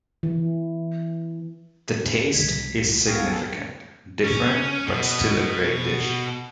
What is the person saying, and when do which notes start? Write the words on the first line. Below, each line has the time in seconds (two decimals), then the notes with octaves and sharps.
The taste is significant different but still a great dish.
0.23 E3
2.33 C2 G#6 B6
3.07 B3 F#4 A4 F5 G5 G#5 D#6
4.24 C#4
4.87 B2